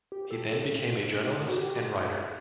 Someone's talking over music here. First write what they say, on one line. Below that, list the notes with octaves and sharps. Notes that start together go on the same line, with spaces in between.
He then became a journalist and writer.
G4
G4
A4
A4
F#4
G4